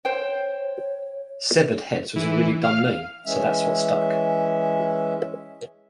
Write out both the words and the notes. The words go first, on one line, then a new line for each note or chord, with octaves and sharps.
Severed Heads was a really dumb name, so that's what stuck.
C5 C#5 G5
E3
F5
E3 G#3 C#4 E5